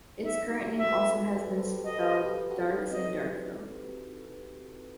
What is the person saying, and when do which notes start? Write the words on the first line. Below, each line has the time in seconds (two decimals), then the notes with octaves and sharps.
Its current name has also been spelled "Darkes" and "Darkville".
0.23 B3 D#4 E5
0.50 D#4 F#4
0.64 E4 G4
0.77 F#4 A4 E5
0.90 G4 B4
1.04 F#4 A4
1.31 F#4 A4
1.44 G4 B4
1.57 A4 C5
1.71 G4 B4
1.84 F#4 A4 D#5
1.98 G4 B4
2.11 F#4 A4
2.25 G4 B4
2.38 G4 B4
2.51 F#4 A4
2.64 E4 G4
2.79 D#4 F#4
2.91 C4 D#5